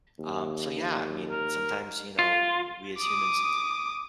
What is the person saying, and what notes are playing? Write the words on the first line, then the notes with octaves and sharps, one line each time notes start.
Um, so, yeah, I mean, sometimes, you know, w we as humans
D#2
A#4
F4
D6 D#6